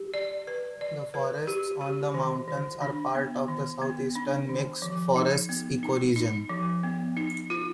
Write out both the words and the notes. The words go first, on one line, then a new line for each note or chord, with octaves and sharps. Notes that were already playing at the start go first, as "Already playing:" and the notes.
The forests on the mountains are part of the Southeastern mixed forests ecoregion.
Already playing: G4
D5
B4
D5
B4
G4
G4
D#3
D#3
D4
B3
D#3
B3
D4
D#3
F3
D#4
B3
D#4
D#4
F3
B3
D#4
F4